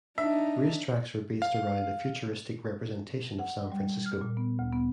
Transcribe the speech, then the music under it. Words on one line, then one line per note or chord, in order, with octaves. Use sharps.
Race tracks are based around a futuristic representation of San Francisco.
D4 D#4 E5
F5
F#5
G3
F6
A#2
B3
D2
B3